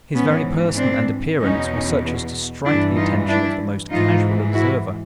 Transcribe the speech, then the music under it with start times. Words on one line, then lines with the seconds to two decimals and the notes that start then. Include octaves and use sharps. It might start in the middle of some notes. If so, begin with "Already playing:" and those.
His very person and appearance were such as to strike the attention of the most casual observer.
0.14 G#2 E3 B3 C#4
0.77 C4 D4
1.39 E2 B2 C#4 D#4
2.65 G2 E3 D4 E4
2.96 D#4 F4
3.28 D4 E4
3.90 G#2 E3 D#4 F4
4.53 E4 F#4